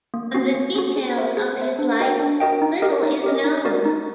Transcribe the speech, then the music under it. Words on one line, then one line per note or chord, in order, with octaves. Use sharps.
On the details of his life, little is known.
A#3
C#4 F#4
A#3
C#4 F#4
G#4
C5 E5
G#4
C5 E5
D4
F#4 A#4 D#5 G5
D4
F#4 A#4 D#5 G5
D#4
G4 A#4 D#5
D#4
G4 A#4 D#5
D#4
F#4 A#4 D5
D#4